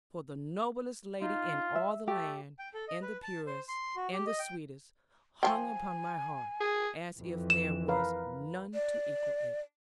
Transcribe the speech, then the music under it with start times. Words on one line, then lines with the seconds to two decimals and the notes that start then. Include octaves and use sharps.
For the noblest lady in all the land, and the purest, and the sweetest--hung upon my heart, as if there was none to equal it.
1.22 D#4 F4
1.75 E5
2.08 A3 G4
2.59 G5
2.74 A4
2.89 D#5
3.02 B4
3.23 A5
3.47 C5
3.68 C6
3.96 F#4
4.13 G4
4.27 D#5
4.39 G5
5.43 F3 F5 G5 G#5
6.60 G#4
7.19 F2 E3
7.50 E7
7.88 A#4 B4 F5
8.74 D5